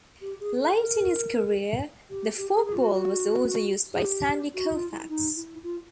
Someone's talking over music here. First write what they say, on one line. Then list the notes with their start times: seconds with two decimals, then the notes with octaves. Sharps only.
Late in his career, the forkball was also used by Sandy Koufax.
0.21 G4
0.40 G#4
0.57 A4
0.75 A#4
2.10 G4
2.37 G4
2.52 G#4
2.64 G#4
2.73 F4
2.79 F#4
2.92 F#4
3.93 G#4
4.01 G4
4.54 F#4
4.73 F4
4.90 E4
5.09 D#4
5.36 E4
5.63 F4